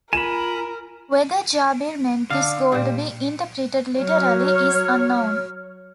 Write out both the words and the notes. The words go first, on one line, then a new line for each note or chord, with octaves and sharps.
Whether Jabir meant this goal to be interpreted literally is unknown.
F4 A#4 G#5 B5 E7
D3 F5
A#2 G3 C5
F#3 C#5 F6